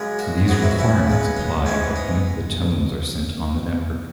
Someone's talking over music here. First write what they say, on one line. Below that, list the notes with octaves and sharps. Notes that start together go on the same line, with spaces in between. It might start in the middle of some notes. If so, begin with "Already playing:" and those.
These requirements apply at the point the tones are sent on the network.
Already playing: F#2 C#3 G#3
F#4 A#4
G#2 F#3 B3 D#4 F#4
E4
F#4
C#4 E4
C#3 G#3 B3
D#4
G#2 E3 G#3 B3 C#4
D#4